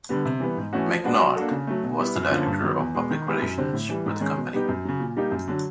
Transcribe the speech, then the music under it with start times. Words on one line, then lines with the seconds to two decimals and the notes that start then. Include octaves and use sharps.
McNaught was the director of public relations for the company.
0.09 D3 G3 B3
0.25 C3
0.40 E3 G3 B3
0.57 G#2
0.73 E3 A3 C#4 F#4
0.89 F3
1.04 G#3 B3 D4 F#4
1.20 F#3
1.36 A#3 D4 F#4 A4
1.51 C#3
1.67 F#3 A3
1.83 B2
1.99 G3 B3 E4
2.16 F#2
2.31 D3 F3 A#3 C#4
2.46 G2
2.63 D#3 F#3 B3
2.79 E2
2.95 B2 G#3 B3
3.11 D#3
3.27 G#3 B3 E4 G4
3.42 F#2
3.57 D3 G3 C4
3.73 A2
3.89 E3 G3
4.06 G#2
4.21 D#3 G#3 C#4
4.37 B2
4.53 G3 B3 D#4 G4
4.69 F#2
4.85 C#3 F#3
5.00 A#2
5.17 G3 A#3 D#4 G4
5.32 F#2
5.48 D3 F#3